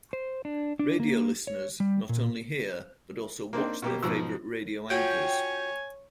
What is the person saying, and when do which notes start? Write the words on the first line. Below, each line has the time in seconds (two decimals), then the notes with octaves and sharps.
Radio listeners not only hear, but also watch their favorite radio anchors.
0.13 C5
0.45 D4
0.79 D4
1.00 A#3
1.47 C#5
1.80 G3
2.09 A#2
3.53 A#3 C4 D4 D#4
3.82 B2 A#3 G4
4.03 G#2 B2 F3 E6
4.90 C#4 F4 F#4 C#5 G5 G#5